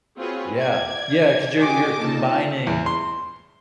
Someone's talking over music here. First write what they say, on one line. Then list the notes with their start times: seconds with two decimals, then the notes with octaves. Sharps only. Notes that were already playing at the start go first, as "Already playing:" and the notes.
Yeah, yeah, 'cause you're you're combining,
0.17 C4 F4 F#4 G#4 B4 C#5
0.57 D5 G#6
1.57 F#4 G4 D#5 G#5 D6
1.99 A#2 D#4 A4 A5
2.67 E2
2.86 C6